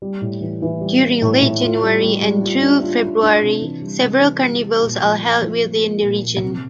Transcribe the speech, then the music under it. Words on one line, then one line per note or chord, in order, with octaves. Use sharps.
During Late January and through February, several carnivals are held within the region.
G3
A2
E3
E3
G3
G3
A2
A2
F4
G3
G3
G3
F4
D4
F4
F4
D4
C3
E3
G3
C3
E3
G3
G3
A#2
F3
A#3
F3
A#3
A#3
A#2
A#2
C3